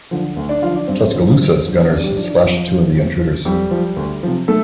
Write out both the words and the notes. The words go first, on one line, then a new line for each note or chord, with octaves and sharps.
"Tuscaloosa"s gunners splashed two of the intruders.
D3 F3
D2
D4 D5
D3 F3 F4 F5
D4 D5
G2 C4
D3 F3
G2
D3 F3
F2 D4
G3 G4
F3 D4
D4
F2 F3 F4
F3
F2
F3
F2 G3 G4
F3
D2
C3 F3
A3 A4